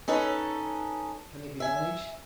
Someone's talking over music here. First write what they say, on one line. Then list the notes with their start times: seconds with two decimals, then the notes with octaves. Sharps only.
"Can it be managed?"
0.08 C#4 D#4 A4 B4
1.60 E5 G#5